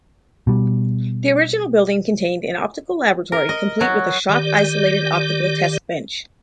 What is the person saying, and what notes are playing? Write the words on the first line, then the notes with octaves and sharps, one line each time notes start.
The original building contained an optical laboratory complete with a shock-isolated optical test bench.
B2 G3
A#4
D#5
F#3
D#3 G4 D5